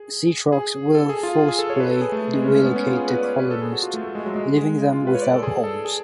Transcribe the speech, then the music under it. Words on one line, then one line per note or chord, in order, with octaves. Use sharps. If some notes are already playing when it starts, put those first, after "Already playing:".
Zetrox will forcibly relocate the colonists, leaving them without homes.
Already playing: G#4
G#4
A4
G#4
F4
G#4
A4
C#5
B4
A4
G#4
A3
G#3
C#4
C#4
B3
C#4
F4
G#4
B4
D5
C#5
B4
A4
G#4
F#4
F4
A3
A3
G#3
F#3
G#3
G#3
G#3
F4
B4
C#5
D5
A4
G#4
A4
G#4